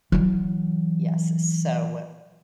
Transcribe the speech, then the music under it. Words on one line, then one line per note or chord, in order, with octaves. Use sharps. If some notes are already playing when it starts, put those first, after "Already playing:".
Yes, so,
E3 F#3